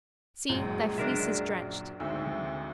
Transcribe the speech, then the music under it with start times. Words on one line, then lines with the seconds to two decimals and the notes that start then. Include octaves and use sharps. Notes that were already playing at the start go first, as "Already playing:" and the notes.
See, thy fleece is drenched.
0.49 A#1 F#2 G#3
0.98 D4 A#4 E5
2.00 D2 G#2 C4 E6